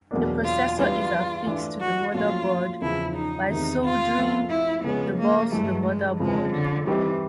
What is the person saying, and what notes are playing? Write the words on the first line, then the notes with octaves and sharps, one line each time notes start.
The processor is affixed to the motherboard by soldering the balls to the motherboard.
E2 B2 F#3 A#3 D4
F4
E3 G3 B3 D4 F4
E3 A3 D4
F#4
A#2 F3 A3 C#4 F4 F#4
E2 C#3 F3 E4
D#4
E2 C3 D#3 D#4
F4
F3 A3 C4
E4
C#3 F3 G#3 B3 C#4
A#3
G2 E3 G#3 A3
G#3
F2 C#3 F3 G#3
D3
E3 G3 C4 D#4 G4